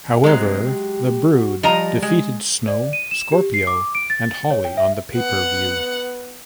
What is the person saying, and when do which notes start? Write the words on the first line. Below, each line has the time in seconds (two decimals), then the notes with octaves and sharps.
However, The Brood defeated Snow, Scorpio, and Holly on the pay-per-view.
0.24 C3 F#3 G#3
0.64 G4
1.32 F#4
1.63 F3 G3 D#5 A#5
2.02 G#3
2.68 D5
2.93 D#7
3.11 E7
3.32 G4
3.54 C7
3.67 D6
3.95 D7
4.10 A6
4.50 C#5
4.65 G5
4.77 E5
5.17 B3 F#5